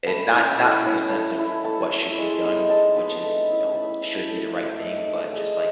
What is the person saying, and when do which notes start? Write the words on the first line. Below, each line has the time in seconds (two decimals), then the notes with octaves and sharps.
And not not from the sense of what should be done, which is you know, should be the right thing, but just, like, ch
0.06 A3 B5
0.33 C#4 E4
0.59 A3
0.86 C#4 E4
1.12 A3
1.39 E4
1.64 A3 A5
1.91 E4
2.18 G#3
2.44 B3 D#4
2.70 G#3 A5
2.97 B3 D#4 B5
3.23 A3
3.49 C#4 E4
3.75 A3 B5
4.01 C#4 E4
4.28 A3
4.54 D#4
4.80 A3
4.97 C#6
5.07 D#4
5.15 E6
5.33 G#3 D#6